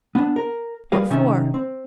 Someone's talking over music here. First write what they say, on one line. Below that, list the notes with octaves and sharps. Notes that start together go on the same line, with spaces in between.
What for?
B3 D4
A#4
G3 G#4 A#4 B4 F5
C3 D#3 C#4 D#4 E5
C4